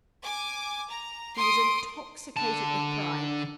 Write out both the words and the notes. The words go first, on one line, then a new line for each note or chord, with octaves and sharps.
He was intoxicated with pride.
G#5 D6
A#5
C6 D#6 D7
D3 A5